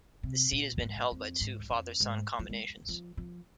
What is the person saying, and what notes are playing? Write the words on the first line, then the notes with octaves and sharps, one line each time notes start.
The seat has been held by two father-son combinations.
C3
A#2
G#2
F2
G#2
F2
G#2
F3
G#3
F3
F3